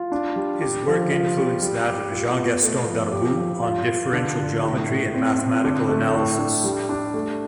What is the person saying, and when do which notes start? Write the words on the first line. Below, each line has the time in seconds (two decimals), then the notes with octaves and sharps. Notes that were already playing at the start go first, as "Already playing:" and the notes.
His work influenced that of Jean Gaston Darboux on differential geometry and mathematical analysis.
Already playing: F4
0.12 D4
0.36 G3
0.62 G4
0.87 F3
1.12 F4
1.37 G3
1.62 G3
1.87 G4
2.12 F4
2.37 B3
2.62 A3
2.87 F3
3.12 G4
3.37 F3
3.62 F4
3.87 F4
4.13 D3
4.39 D3
4.63 A2
4.89 A2
5.14 C4
5.39 C4
5.64 D3
5.89 A3
6.14 A2
6.39 D4
6.64 G3
6.89 D4
7.14 A3